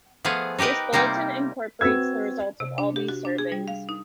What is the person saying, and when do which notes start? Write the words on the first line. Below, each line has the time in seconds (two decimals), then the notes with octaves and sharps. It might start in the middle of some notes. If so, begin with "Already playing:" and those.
This bulletin incorporates the results of all these surveys.
0.25 F3 A3 B3 G#4 F5
0.59 D#4 G4 A#4 B4 D#5
0.93 C3 G3 A#3 D#4 C5
1.81 C4 F#4 B4 E6 G#6
2.60 C3
2.78 D4
2.96 G4
3.08 F#4
3.25 D4
3.38 G#4
3.52 G3
3.68 F5
3.89 D#4